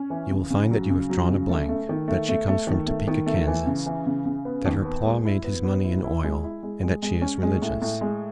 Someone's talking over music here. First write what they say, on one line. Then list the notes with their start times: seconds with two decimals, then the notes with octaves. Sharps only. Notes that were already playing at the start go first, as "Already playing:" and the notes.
You will find that you have drawn a blank, that she comes from Topeka, Kan., that her paw made his money in oil, and that she is religious.
Already playing: C#4
0.10 E3
0.30 C#3
0.50 C#3
0.71 F#3
0.90 C#3
1.10 F#3
1.30 C#3
1.49 A3
1.69 A3
1.89 D#3
2.08 A3
2.28 A3
2.48 A3
2.67 D#3
2.87 A3
3.07 D#3
3.26 A3
3.47 E3
3.66 C#3
3.86 E3
4.06 C#3
4.25 C#3
4.45 B3
4.66 D#2
4.85 B3
5.05 G#3
5.25 E4
5.44 B3
5.64 B3
5.84 E4
6.04 E4
6.24 G#3
6.43 E4
6.63 G#3
6.83 G#3
7.02 G#3
7.22 C#4
7.42 G#3
7.62 A2
7.82 A2
8.01 G#3